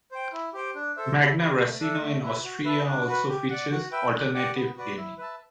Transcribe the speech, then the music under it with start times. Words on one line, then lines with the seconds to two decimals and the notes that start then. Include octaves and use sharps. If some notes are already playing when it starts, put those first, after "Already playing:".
Magna Racino in Austria also features alternative gaming.
0.11 C5 G5
0.33 E4
0.53 G4 C5 G5
0.75 D4
0.96 A4 C5 E5
1.17 E4
1.37 G4 B4
1.59 A3
1.80 D4 A4 E5
2.02 A3
2.23 E4 B4
2.44 F#4
2.65 B4 E5 A5
2.86 D4
3.07 F#4 B4
3.28 G4
3.50 D5 F#5
3.71 F#4
3.92 B4 E5 G5
4.13 D4
4.34 G4 D5 F#5
4.55 B3
4.77 F#4 B4 D5
4.97 E4
5.18 B4 E5 A5